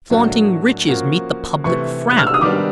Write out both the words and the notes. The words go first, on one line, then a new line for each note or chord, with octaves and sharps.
Flaunting riches meet the public frown.
A2 F#3 A#3 D4 F#4
F3 A#3 C#4 F#4
C3 E3 A3 C#6
F#6
F6
E6
D#6
D#3 G3 B3 D4 D6